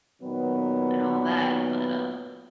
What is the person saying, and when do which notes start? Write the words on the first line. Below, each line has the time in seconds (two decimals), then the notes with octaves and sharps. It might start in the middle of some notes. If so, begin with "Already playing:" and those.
and all that, but, um
0.23 A#2 D#3 F#3 B3